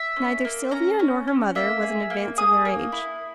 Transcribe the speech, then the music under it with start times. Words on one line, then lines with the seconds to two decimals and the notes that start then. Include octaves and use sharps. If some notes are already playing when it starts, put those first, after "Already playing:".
Neither Sylvia nor her mother was in advance of their age.
Already playing: E5
0.16 C#4
0.45 A#3
0.71 C#4 A#5
0.99 C#4
1.28 C#4
1.55 A#3 E5
1.83 G#4
2.10 A#3
2.38 G#4 D#6
2.65 A#3
2.92 E4